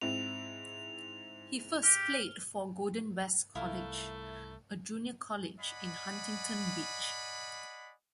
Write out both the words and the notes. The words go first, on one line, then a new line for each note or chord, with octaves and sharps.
He first played for Golden West College, a junior college in Huntington Beach.
G#2 C4 E4 F7
G4 F6
C2 A3 E4 F4 A#4
D5 D#5 F#5 G#5 B5